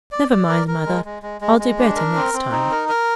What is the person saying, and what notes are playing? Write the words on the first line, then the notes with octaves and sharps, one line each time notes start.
'Never mind, Mother; I'll do better next time.'
D5
D5
A#4
A#4
G#3
G#3
G#3
G#3
G#3
D4
A#4
C4
C4
D#4
A#4
A#4